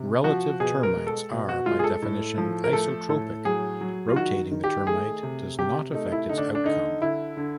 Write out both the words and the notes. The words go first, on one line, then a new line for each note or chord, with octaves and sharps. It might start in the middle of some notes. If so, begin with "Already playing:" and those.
Relative turmites are, by definition, isotropic; rotating the turmite does not affect its outcome.
Already playing: C3
F3 F#4
B2 G#4
A#4
G#3
A4
B2
F#4
G#3 F4
G#4
A4
A2
F3
A#4
A3 A4
A2 A4
F#3 G#4
F#3
F4
D#3 F#4
D#3
G4
A3 G#4
C3
C3 G4
A3 D#4
E4
D3 D#4
D4
D4
D3 D#4
D3 E4
D3